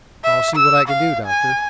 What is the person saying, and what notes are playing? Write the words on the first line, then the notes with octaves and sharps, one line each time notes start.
"I'll see what I can do, Doctor."
E5
E6
F5
G#5